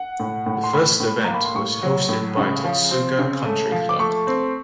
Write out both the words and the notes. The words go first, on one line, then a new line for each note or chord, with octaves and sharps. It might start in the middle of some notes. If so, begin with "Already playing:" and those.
The first event was hosted by Totsuka Country Club.
Already playing: F#5
A2
A2
C6
A2 B5
A2
A#3 A#5
B5
C6
A2 C#6
F#3
A2
C#3
F3
C4
C#3
A3
F3
D6
A3 C#6
C4